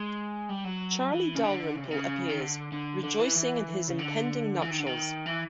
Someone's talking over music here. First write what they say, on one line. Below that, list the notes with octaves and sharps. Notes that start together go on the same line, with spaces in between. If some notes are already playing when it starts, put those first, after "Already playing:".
Charlie Dalrymple appears, rejoicing in his impending nuptials.
Already playing: G#3
G3
F#3
E3
C#3
D3
C#3
C3
C#3
D#3
D3
D3
D3
E3
E3
C#3
D3
E3
D#3
D3
D#3
E3